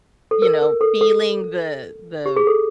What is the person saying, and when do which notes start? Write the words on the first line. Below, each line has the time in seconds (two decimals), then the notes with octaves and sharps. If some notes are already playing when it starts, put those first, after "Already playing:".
you know, feeling the the
0.31 A4
0.42 A#4
0.62 A#4
0.81 A4
1.01 A4
2.26 G4
2.36 G#4
2.47 A4